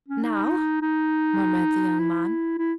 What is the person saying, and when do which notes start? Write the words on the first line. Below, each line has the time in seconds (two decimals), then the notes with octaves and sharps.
"Now," murmured the young man.
0.08 C#4
0.23 D#4
0.82 D#4
1.99 E4
2.58 E4